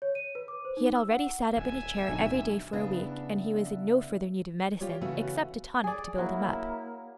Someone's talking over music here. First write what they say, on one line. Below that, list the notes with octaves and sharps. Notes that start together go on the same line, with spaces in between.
He had already sat up in a chair every day for a week--and he was in no further need of medicine, except a tonic to build him up.
C#5
D#7
B4
D6
C5
D#4
E6
F#5
D1 E5 G#5 E6
D1 B1 D3 F#3
C#3 B3 D4 E4
F4 G4 C#5 D5
C#3 E3 A3 B3 C#4 F#4
G#4 D5
F#3 A#3 E4